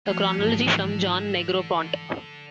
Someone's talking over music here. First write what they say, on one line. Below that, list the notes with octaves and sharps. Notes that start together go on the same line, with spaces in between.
A chronology from John Negroponte.
F3 A3 C#4 F#4
G#2 D3 E3 D#4 A5